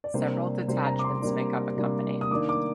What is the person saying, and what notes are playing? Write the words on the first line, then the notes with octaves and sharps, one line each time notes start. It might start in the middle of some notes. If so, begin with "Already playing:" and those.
Several detachments make up a company.
D5
C3 G3 A#3 D4 C5
C3 G3 A#3 D4 C5
A#5
D6
C6
C3 G3 A#3 D4
C3 G3 A#3 D4
D#6
D#3 A#3 D4 D6
D6